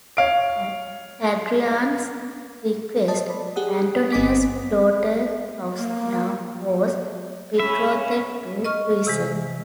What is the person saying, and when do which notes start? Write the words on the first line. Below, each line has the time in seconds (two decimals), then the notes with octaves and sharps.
At Hadrian's request, Antoninus' daughter Faustina was betrothed to Lucius.
0.17 C#5 F5 D7
3.08 A4 C5 D#5 A5
3.29 D5 B5
3.56 G4 G#4 F#5 D#6
4.12 G1 C4 D#5 G#5 D6 B6
5.77 A#3
7.59 C#4 E5 B5
8.65 D#5 C#6 F6
9.07 C3 E3 G#3